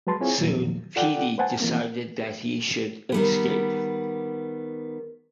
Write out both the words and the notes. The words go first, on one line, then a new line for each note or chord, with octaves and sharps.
Soon, Petey decided that he should escape.
F#3 G#3 B4 A5 C6
C4 E4 F4 G#4 C#5 G#5
E2 A#2 D#3 F3 F#3
F4 A4 D5 F#5 G5
B4 C5 F#5 G#5 A5
E3 A#3 C4
D#3 G3 B3